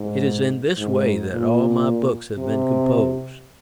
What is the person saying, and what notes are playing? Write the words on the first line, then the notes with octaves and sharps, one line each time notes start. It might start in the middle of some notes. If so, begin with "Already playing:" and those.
It is in this way that all my books have been composed.
Already playing: G#2
G#2
A#2
C3